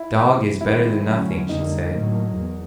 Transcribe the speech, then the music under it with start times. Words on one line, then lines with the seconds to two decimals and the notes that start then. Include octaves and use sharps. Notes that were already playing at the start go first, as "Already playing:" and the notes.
"A dog is better than nothing," she said.
Already playing: E4
0.17 E2 C3 E3 G3
0.61 C3 D#3 G3 C4 E4
1.05 D3 F#3 A3 C#4
1.49 F2 D3 G3 A#3 D#4
1.92 A2 F#3 A#3
2.36 E2